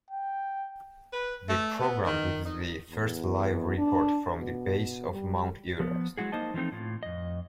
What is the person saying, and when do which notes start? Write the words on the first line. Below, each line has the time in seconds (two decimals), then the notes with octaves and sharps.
The program did the first live report from the base of Mount Everest.
0.10 G5
1.12 B4
1.48 A3
1.81 B3
2.06 D#3
2.45 D#4
2.90 E2
3.78 D4
4.38 B2
5.11 G3
5.80 F3 B3
6.17 F#3 G#3 E4 F#4 G#4
6.32 A#3 D#4 C5 D#5 A5
6.54 E3 F3 A3 C4 D#4
6.72 A2 F4
7.03 F2 D#5